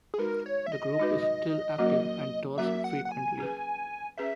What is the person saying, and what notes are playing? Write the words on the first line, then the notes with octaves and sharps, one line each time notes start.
The group is still active and tours frequently.
G#4
G#3 D#4 F#4 A#4 B4
C#5
E5
D#5
G#3 D#4 F#4 B4
F#3 A#3 C#4 F#4 A#4
F#3 A#3 C#4 F#4 A#4 E5
F#5
F#5
G#5
C#4 G#4 B4
C#4 G#4 B4 E5